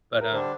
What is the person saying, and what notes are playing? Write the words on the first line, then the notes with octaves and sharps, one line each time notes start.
But, um,
A#4
D3 G3 D4 C5